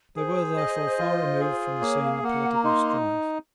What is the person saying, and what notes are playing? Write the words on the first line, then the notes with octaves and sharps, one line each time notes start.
They were, therefore, far removed from the scene of political strife.
G#4 C5
D#5
F4
G#4
A#3 C#5
F5
A#3 F#5
A#5
D#4 C6